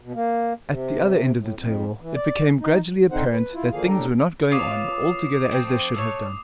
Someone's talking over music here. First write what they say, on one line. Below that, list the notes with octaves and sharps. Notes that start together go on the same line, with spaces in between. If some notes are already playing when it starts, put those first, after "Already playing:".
At the other end of the table it became gradually apparent that things were not going on altogether as they should have done.
B2
A#3
C3
A2
F2
E3
D5
D#4
D3 C4 D#4 C5 F#5
B4
E4 F4
D3 D#3 F3 A#3 G#4 F5
D#2 A2 D4 G4 A4 A#5
F4 B4 C#5 D6 D#6 C7
F3 A3 C4
A3 A4 C#5 D#6